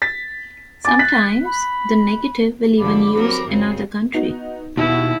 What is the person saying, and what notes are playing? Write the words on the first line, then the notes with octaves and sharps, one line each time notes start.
Sometimes, the Negative will even use another country.
A6 B6
G#5 D6 A6
F#6 B6
B5
G2 D3 F3 B5 D6
F#3 C4 A#4
F#2 C#3 C4 G#4
B3 D#4 F#4
D#2 B2 E4